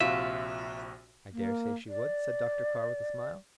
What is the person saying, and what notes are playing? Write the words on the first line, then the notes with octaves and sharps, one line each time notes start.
"I dare say she would," said Dr. Carr, with a smile.
A#1 C3 F4 F#4 E5
A#3
D5